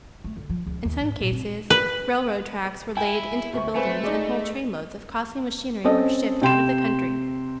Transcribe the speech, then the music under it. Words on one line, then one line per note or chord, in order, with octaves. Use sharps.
In some cases railroad tracks were laid into the buildings and whole trainloads of costly machinery were shipped out of the country.
A3
D3
F3
C#2
D#2
G#2
A#2
C4
B4
E4 G5 G#5
D2 E5 C#6
A3 C4 B4 C5 G#5
G#3 D#4 G#4 D5 D#5
C4 C#4 A4 D#5
C3 G5 C6 E7